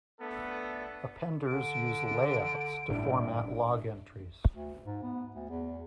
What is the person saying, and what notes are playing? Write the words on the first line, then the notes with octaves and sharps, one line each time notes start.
Appenders use Layouts to format log entries.
A3 B3 D4 A4
D3 D7
G1 A2 D4
D2
G#2
B3
D2
E2